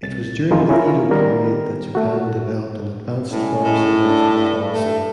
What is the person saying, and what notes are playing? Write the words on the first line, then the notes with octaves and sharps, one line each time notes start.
It was during the Edo period that Japan developed an advanced forest management policy.
C2 A6
F2 D#3 E3 G#3 D#4 F4
C#4 E4 F4 A#4
D#3 G3 B3 A#4
A3 F#4
A2 G3 G#3 C#4
A2
D4
G2
A3